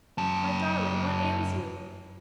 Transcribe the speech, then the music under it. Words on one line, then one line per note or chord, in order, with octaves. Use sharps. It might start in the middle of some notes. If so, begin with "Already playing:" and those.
"My darling, what ails you?"
F#2 A5